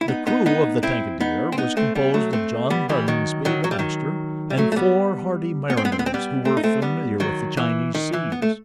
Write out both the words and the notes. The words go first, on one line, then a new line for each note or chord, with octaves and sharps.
The crew of the Tankadere was composed of John Bunsby, the master, and four hardy mariners, who were familiar with the Chinese seas.
E4
B3 D#4
B3 D#4
B3 D#4
C4 E4
B3 D#4
C4
B3 D#4
A3 C4
G3 B3
F#3 A3
A3 C4
G3 B3
E3 G3
D#3 F#3
D#3 F#3
F#3
G3
D#3 F#3
G3
F#3 A3
A3
G3 B3
B3
C4
B3
C4
B3
C4
G3 B3
A3 C4
D#4
A3 C4
G3 B3
D#3 F#3
E3
D#3
E3
B3
A3